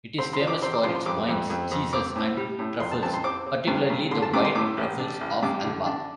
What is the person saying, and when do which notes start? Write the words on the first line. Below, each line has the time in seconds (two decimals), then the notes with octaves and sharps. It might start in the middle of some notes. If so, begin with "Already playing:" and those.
It is famous for its wines, cheeses, and truffles-particularly the white truffles of Alba.
0.18 C4 C6
0.33 C6
0.40 F3
0.47 D6
0.62 C4 C6
0.73 D6
0.83 F3 C6
0.95 C6
1.06 F2 D6
1.28 F2
1.50 F2
1.71 F2
1.93 C4 D6
2.15 A2
2.37 G3
2.59 A2
2.80 F2 C6
2.91 A5
3.02 F2 A5
3.13 C6
3.24 C4 D6
3.46 C4
3.67 G2
3.90 G2
4.11 D3 C6
4.22 A5
4.33 G2 D6
4.45 C6
4.55 A2 D6
4.77 A1
4.99 D4
5.21 A1
5.43 G2 D6
5.64 D3
5.86 D4